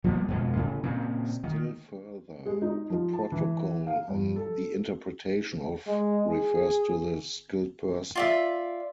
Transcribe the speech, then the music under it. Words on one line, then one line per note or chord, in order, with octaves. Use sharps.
Still further, the Protocol on the Interpretation of refers to the skilled person.
F3 G3 A#3 B3
F2 B2 G#3
A2 C#3
A#2 C#3 C4
D#3
G#3
D#4
F3
A5
E3
F5
G2
A4
G#3
G#4
F4 D5 E5